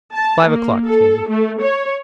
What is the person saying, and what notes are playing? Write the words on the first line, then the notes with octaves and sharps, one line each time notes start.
Five o'clock came.
A5
A#3
A4
A3
C#5